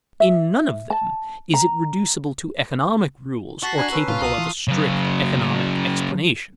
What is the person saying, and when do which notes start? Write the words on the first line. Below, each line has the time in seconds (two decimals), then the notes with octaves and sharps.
In none of them is it reducible to economic rules or capable of a strict economic explanation.
0.20 E5
0.90 A5
1.54 A#5
3.63 F#4 A5 C#6 B6 C7
3.78 D4 G#5 A#5 F#6 C7
3.92 C#4 B4 A5 E6
4.08 A2 F4
4.22 C2 A#5 C6 D#6 C7 F7
4.38 E3
4.68 C#3 F#3